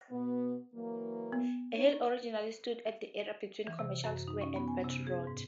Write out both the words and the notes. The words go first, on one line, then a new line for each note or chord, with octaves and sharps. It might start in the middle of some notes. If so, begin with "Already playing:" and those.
A hill originally stood at the area between Commercial Square and Battery Road.
B2 B3
E3 F#3 A#3
B3
D4 D#4 C#5
E3
C3
F#2
D#4
C#4
B3
G#5
C3
G#4
G#2